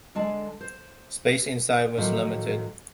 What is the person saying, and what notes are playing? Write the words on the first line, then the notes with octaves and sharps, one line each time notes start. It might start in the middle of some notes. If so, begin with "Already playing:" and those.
Space inside was limited.
D3 G#3 A5
C5
A2 D#3 F3 F#3 A3 A#3